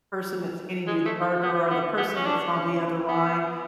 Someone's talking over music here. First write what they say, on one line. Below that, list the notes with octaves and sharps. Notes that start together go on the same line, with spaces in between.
person that's handing you the burger or the person that's on the other line,
G#3
A3
B3
B3
B3
C#4
D4
C#4
B3